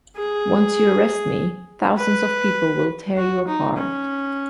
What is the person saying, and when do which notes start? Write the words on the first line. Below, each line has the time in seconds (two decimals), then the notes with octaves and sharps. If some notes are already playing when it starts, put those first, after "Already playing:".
Once you arrest me, thousands of people will tear you apart.
0.17 G#4
1.97 B4
3.17 F#4
3.47 D#4
3.77 C#4